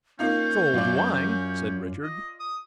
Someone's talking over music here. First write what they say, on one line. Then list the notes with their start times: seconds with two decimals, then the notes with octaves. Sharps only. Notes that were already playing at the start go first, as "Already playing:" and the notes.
"So do I," said Richard.
0.19 A#3 C#4 D#4 F4 G6
0.74 F#2 F4 D5
2.03 D#5
2.40 D#6